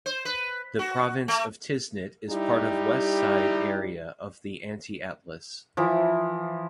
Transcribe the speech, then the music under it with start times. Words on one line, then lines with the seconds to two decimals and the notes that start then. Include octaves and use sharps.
The province of Tiznit is part of west side area of the Anti-Atlas.
0.06 C5
0.25 B4
0.79 F#4
1.28 A3
2.30 G3 D#4 E4 G4
5.77 E3 F3